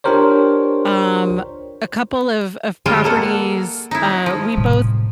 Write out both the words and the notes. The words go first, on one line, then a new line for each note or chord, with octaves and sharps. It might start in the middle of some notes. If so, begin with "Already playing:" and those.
um, a couple of of properties, uh, we both
D4 F4 G4 A#4 C5 C#5
G3 G#3 F4
A#3 A4 F#5
D#4 E4
F3
A2 C3 G3